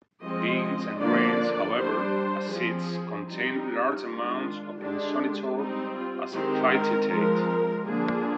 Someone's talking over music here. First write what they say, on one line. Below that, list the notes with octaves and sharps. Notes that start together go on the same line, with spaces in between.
Beans and grains, however, as seeds, contain large amounts of inositol as phytate.
F3 G#3 C4 D#5
D3 F3 A#3 D4 D5
G3 D4 C5
F3 C4 G#4
G3 C4 D#4
D#3 G#3 D4 F4
D3 G#3 D4 G4
G3 C4 D#4
F4
D#3 G#3 C4 G4
A#4
F3 G#3 C4 A#4
D3 F3 A#3 D4 G#4